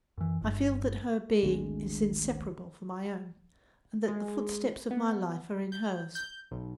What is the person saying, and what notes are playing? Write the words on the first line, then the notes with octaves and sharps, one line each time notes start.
I feel that her being is inseparable from my own, and that the footsteps of my life are in hers.
F#2 E3
G1 G2
G#1 D2 D3 G#3
G#3
B3
G6
G6
B1